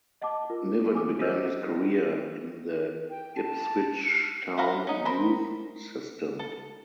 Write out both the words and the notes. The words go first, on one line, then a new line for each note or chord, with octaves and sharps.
Niven began his career in the Ipswich Town youth system.
D#5 F#5 A5 D6
F4 A#4
G#5 D6 D#6
G4 C5 D#5 E6 F6 G6
G5
A5
E4 C5 F5 F#5 A#5
C#4 D#4
A#4 C5 B5
A4